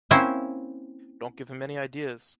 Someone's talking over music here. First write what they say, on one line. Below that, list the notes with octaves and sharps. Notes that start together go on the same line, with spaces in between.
Don't give him any ideas!
A#3 C4 C#4 E4 C5 E5